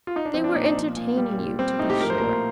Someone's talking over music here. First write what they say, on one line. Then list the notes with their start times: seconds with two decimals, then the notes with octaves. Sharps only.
They were entertaining you, to be sure.
0.07 F4
0.16 D#4
0.25 D4
0.34 F3 C4
0.44 D4
0.55 A#2 D#4
0.66 D4
0.76 F3
0.96 A#2
1.17 G3
1.38 A#2
1.59 G3 C4
1.79 A2 D#4
1.90 G4
2.01 F3 A#4
2.10 C5
2.18 A#2 A#4